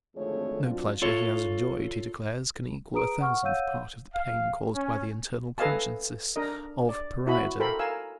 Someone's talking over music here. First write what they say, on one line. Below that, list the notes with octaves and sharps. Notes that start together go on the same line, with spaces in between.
No pleasure he has enjoyed, he declares, can equal a thousandth part of the pain caused by the internal consciousness of pariahdom.
G#1 F2 D3 A3 G#4 C#5
F#3 C4 D4 F4
F4 A4 C#5
G#4 B4 A#5 D#6 D7
F#5 C#6 F6
C#5 F5 F#5 E6 G6 D#7
F5
C#4
A4 B4 D#5 F5 G#5 A5
D4 A#4 D#5
D5
E4 F#4 B5
A4 A#4 C5 G5 B5
A#4 F5 G#5 E6